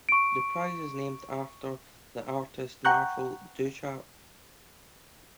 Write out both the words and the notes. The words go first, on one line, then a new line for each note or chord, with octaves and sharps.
The prize is named after the artist Marcel Duchamp.
C#6 D7
F#5 G5 A#5 C#6 F#6 G6